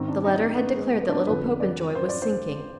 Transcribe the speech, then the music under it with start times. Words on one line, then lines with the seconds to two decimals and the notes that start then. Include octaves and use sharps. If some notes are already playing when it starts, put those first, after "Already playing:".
The letter had declared that little Popenjoy was sinking.
Already playing: G#2 D#3 C4
0.08 D4
0.24 D#4
0.59 B3
0.76 G#3
0.93 B3
1.09 D4
1.26 F2 D3 B4
1.60 D5
1.95 C5
2.09 D5
2.22 C5